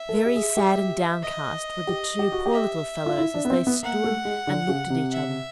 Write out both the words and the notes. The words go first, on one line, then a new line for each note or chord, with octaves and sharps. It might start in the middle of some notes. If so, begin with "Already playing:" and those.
Very sad and downcast were the two poor little fellows as they stood and looked at each other.
Already playing: E5
A4
A#4
G4
G#4
G4
D#5
G4
G4
F#4
G4
E5
F4
E4
D4
B3
C4
B3
A#3 F#5
A3
G#3
D3
C#3
C3
E5